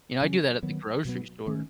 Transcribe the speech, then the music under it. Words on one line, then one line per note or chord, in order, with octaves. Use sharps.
You know, I do that at the grocery store.
C#3 F#3 C#4
D#3 F#3 B3
B2 F#3 B3
D#3 A3 C#4